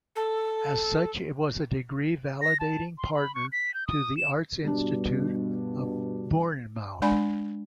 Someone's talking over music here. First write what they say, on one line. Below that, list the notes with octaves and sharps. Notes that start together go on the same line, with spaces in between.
As such it was degree validating partner to The Arts Institute at Bournemouth.
A4
A#6
A5
C6
B5
C#6
B6
G6
D#6
E7
G2 B2 G3 D4
G#3 D4 D5 G#5 B5